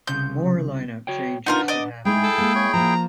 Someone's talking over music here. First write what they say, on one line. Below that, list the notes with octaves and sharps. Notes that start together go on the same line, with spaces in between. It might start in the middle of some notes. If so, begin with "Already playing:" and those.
More lineup changes had happened as well.
C2 C#3 C6 G6
F#4 C#5 G5
D4 D#4 F4 A#4 B4 F#5
D5 D#5
G#3 A3 D#4 E4 G#4 G5
A4
G#3 A#3
C#5
F3 A#3 A#5